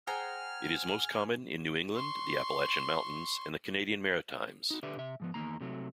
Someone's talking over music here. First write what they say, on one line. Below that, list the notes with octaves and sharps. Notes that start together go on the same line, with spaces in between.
It is most common in New England, the Appalachian Mountains, and the Canadian Maritimes.
G#4 C5 F#5 G5 A#5 F6
C6 C#6
D#4 F#4
D3 G4 B4 D5 E5
C3 E5
G#2 F3 B3
E2 G#2 D#3 A#3 A#5
C3 F#3 A3